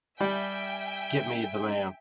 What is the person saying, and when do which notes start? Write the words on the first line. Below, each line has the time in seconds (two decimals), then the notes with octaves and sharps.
Get me the man.
0.21 G3 E5 G5 G#5